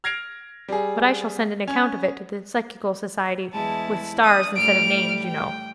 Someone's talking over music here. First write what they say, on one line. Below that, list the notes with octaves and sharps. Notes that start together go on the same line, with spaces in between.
But I shall send an account of it to the Psychical Society, with stars instead of names, you know.'
F6 G#6 A#6 C7 D7 F7
G3 G#4
C#4
E2 G#3 E4 A5
D4 D#6
A2 G3 F6 D7
G5